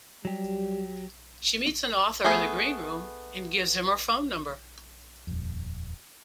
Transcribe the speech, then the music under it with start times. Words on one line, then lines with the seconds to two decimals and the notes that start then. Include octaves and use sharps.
She meets an author in the green room and gives him her phone number.
0.25 F#3 G3 G4
2.24 A3 B3 G#4
5.27 D#1 F2